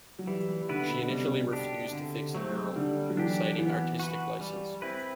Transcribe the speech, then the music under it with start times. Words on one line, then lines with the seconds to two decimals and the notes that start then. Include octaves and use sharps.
She initially refused to fix the mural, citing artistic license.
0.19 F#3
0.27 E3 G3
0.49 G3
0.69 D3 B3 E4 B4
0.90 B2
1.03 B2
1.10 C3 G3
1.53 D4 G4
1.93 D3
2.35 F#3 A3 C4
2.76 D3 G3
3.10 F#3
3.17 E3 D4 G4
3.58 E3 B3
4.00 F#4 B4
4.41 G3
4.82 C4 E4 B4